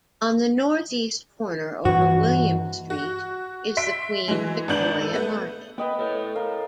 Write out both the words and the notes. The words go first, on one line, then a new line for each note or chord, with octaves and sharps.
On the northeast corner over William Street, is the Queen Victoria Market.
G2 E3 F#4
F#4
E5 C6 B6 D7
E3 F#3 G#3
G#1 B3 D4 G6 F#7
A4
A3 B3
B3 B4 D#5 G5
A4 C#5
A#4 F5